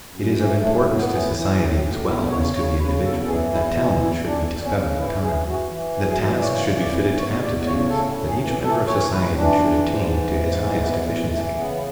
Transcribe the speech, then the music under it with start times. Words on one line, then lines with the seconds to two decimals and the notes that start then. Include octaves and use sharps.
It is of importance to society as well as to the individual that talent should be discovered in time, that tasks should be fitted to aptitudes, that each member of society should attain to his highest efficiency.
0.11 F#2
0.36 E3
0.60 A2 A3
0.85 A2
0.96 B3
1.09 E3
1.34 E3
1.58 A2
1.81 A2
2.06 E2 E4
2.30 C#3 C#5
2.54 C#3 C#5
2.79 C#3 B4
3.04 E2 A4
3.24 A4
3.27 E3 G#4
3.52 E2 E4
3.77 E3 E4
4.01 E2 E4
4.25 E2 D4
4.49 E2
4.62 C#4
4.74 C#3
4.98 E3 E4
5.22 E3 G#4
5.47 E3 F#4
5.71 E3
5.96 F#2
6.07 G#4
6.21 E3
6.39 D5
6.44 C#3 C#5
6.69 E3
6.81 D5
6.93 E2
7.17 E2 C#5
7.42 E2 D5
7.65 C#3 C#5
7.90 A2 A4
8.14 A2
8.26 G#4
8.39 E3
8.63 E3 A4
8.87 E3 C#5
9.12 A2 B4
9.36 E3 D4
9.60 E3
9.86 G#2
10.09 E3
10.34 G#2
10.59 E3
10.82 E2 B3
11.07 E3 G#3
11.31 E3 A3
11.56 C#3 B3